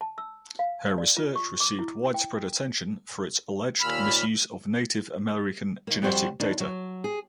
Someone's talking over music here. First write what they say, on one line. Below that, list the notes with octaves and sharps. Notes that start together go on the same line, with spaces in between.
Her research received widespread attention for its alleged misuse of Native American genetic data.
A5
E6
F5
D5
F4
C#6
D6
E4
G5
D#2 A#2 B5 E6 F6
D#2 A#3
F2 G3 F#4 A#4 C5
D#2 D4
F#3
G#4